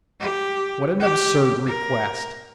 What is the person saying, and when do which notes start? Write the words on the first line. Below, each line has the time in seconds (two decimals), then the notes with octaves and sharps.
What an absurd request!
0.20 G4
1.00 G4
1.67 A#4